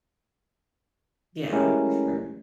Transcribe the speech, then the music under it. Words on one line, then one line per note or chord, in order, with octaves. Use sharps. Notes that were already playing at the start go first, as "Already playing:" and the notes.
Yeah. For sure.
G#3 A3 C#4 E4 G4 A#4